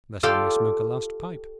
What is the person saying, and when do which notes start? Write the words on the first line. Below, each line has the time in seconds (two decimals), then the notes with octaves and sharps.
'That I may smoke a last pipe.'
0.23 F4 G4 A4 D5 F5 G5